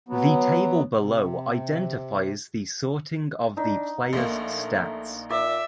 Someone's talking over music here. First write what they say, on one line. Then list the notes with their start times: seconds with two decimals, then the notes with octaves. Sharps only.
The table below identifies the sorting of the players stats.
0.09 F#3 B3
0.97 C3
3.57 D4 D#4
4.13 A#1 A3 A#3
5.30 A#2 D5 E5